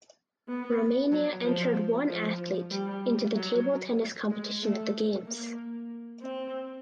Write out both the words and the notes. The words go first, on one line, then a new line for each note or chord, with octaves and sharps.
Romania entered one athlete into the table tennis competition at the games.
B3
F#3
F3
F3
G3
F#3
G#3
A3
A#3
C4